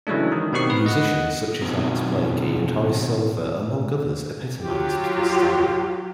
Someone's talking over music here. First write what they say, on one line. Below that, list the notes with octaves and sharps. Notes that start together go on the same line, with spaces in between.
Musicians such as Art Blakey and Horace Silver among others epitomised this style.
C#3 E3 F#3 G#3 A3 D4
D#3
B2 D#3 C4 G4 C#6 C7
B4
D#5 F#5
B2 D#3 F#3 C4
F#3 F4 G4